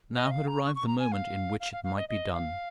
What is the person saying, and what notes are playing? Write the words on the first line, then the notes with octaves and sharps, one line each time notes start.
Now had arrived the moment in which it might be done.
D#5
F5
A#5
C#6
C#6
A#5
G#5
F5
F5
F5
F5
D#5
D#5
F5